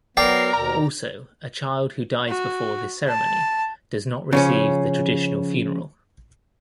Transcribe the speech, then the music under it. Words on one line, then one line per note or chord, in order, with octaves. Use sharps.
Also, a child who dies before this ceremony does not receive the traditional funeral.
F#3 B3 A#4 D5 G5 C7
D#2 B2 A#5
F#4
A5
C#3 F3 C#4